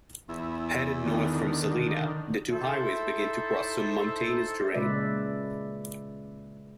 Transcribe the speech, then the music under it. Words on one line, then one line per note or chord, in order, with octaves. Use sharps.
Headed north from Salina, the two highways begin to cross some mountainous terrain.
E2 E4
D3 D#3
D#4 E4 A4 C5 E5
A#2 C#3 G#3 B4 D5 E5